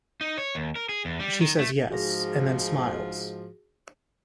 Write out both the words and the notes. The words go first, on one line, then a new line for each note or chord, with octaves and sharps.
She says yes, and then smiles...
D#4
C#5
D#2
A#4
G#4
E2
G3
D#3
A3
G#2 F3 F#4 G#4 A#6